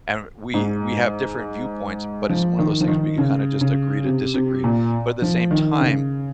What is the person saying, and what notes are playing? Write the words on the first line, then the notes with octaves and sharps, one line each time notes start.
and we we have different viewpoints, but it's one of those things we kinda just agree to disagree, but at the same time,
G#2
F3
D#3
F3
D#3
C#3
C#3
C3
C3
A#2
F3
D#3
C#3